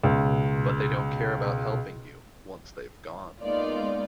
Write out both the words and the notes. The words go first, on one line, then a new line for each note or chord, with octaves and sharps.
But they don’t care about helping you, once they’ve gone.
C#2 B2
G#3 A#3 B3 D#4 F4 D5